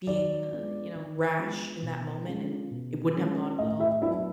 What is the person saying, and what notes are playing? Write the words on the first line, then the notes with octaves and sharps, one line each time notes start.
being, uh, you know, rash in that moment, and it wouldn't have gone well.
D#3 D5
G#3 B3 D4 F4
D#3
G#3 B3 D4 F4
B2
G#3 C#4 F4
B2
G#3 C#4 F4
A2 D#5
E4 E5
F#3 B3 D4 E4 E5